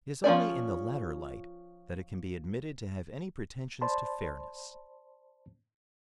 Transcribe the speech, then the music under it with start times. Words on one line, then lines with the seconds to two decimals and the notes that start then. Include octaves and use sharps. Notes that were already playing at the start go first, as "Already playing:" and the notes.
It is only in the latter light that it can be admitted to have any pretensions to fairness.
0.24 F3 C4 C#4 D5
3.81 C5 D5 A5 B5 C6